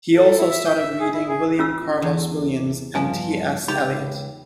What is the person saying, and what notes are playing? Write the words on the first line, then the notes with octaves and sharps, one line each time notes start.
He also started reading William Carlos Williams and T. S. Eliot.
A4
E4
E5
G6
E5
G#4
E4
G#4
C#4 F4 E6
E2
G2 F3 G#5
C#2 D#4 G4 B5